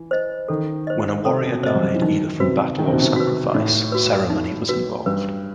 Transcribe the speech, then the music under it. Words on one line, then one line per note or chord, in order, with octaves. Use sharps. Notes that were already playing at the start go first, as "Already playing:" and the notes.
When a warrior died either from battle or sacrifice, ceremony was involved.
Already playing: E3
C5 D#5
D#3 A4
C5 D#5
C3 A4
B2
C3 C5 D#5
G3
F#3
E3
D#3 D#4
C3 F#4 B4
D#3 D#4
C3
B2
C3
C3 F#4 B4
A2 D#4
F#4 B4
D#4
F#4 B4
G2 B4